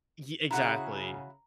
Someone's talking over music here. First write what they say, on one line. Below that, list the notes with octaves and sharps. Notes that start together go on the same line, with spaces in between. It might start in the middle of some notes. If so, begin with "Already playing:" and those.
ye exactly.
C#3 E4 F#4 F#5 A#5